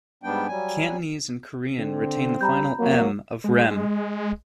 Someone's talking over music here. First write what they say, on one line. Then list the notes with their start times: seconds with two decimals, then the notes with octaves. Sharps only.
Cantonese and Korean retain the final "m" of "remm".
0.23 G#2 G3 B3 D4 G5
0.47 F#3 G3 G#5
1.78 D3 C4
2.41 G3 A#5 B5 G6
2.79 F2 F#3 A#3
3.44 G#3